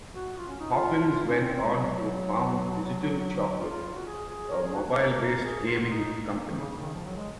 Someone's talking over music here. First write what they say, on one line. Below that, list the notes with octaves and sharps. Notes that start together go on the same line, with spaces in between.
Hawkins went on to found Digital Chocolate, a mobile-based gaming company.
F#4
F4
C#4
D#4
F4
C#4
C4
C4
G#3
F#3
F4
F4
F4
F#4
G#4
G#4
A#4
G#4
F#4
C#4
A#4
A#4
G#4
F4
F#4
F4
D#4
A#3
D#3
C#3
C#3
D#3
F3
F#3
G#3